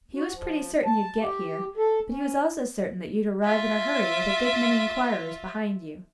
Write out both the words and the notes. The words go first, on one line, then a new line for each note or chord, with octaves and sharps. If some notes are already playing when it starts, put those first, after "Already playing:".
He was pretty certain you'd get here, but he was also certain that you'd arrive in a hurry with a good many inquirers behind you.
F#4
F3
A5
G4
A4
C#4
F4 E5